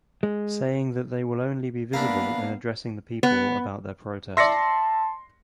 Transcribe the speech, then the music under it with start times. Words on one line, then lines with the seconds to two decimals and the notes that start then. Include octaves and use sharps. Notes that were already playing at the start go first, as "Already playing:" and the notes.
Saying that they will only be visible in addressing the people about their protest.
0.23 G#3
1.93 A#3 B3 D4 E4 A#4 F5 B5
3.23 B3
4.37 D5 E5 A5 C6 A#6 C#7